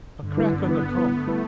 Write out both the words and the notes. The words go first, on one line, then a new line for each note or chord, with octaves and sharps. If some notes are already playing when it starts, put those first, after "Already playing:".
A crack on the conk.
G2 D3
G3 E4 B4
G2 B3
G3 E4 B4
G2
G3 E4 B4
G2 A3
G3 E4 B4